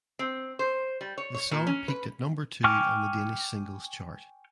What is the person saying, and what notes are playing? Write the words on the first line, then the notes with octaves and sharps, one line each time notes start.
The song peaked at number two on the Danish Singles Chart.
C4
C5
G3
C#5
C#5
A#2
C#4
B4
G5 G#5 C#6 D6 F6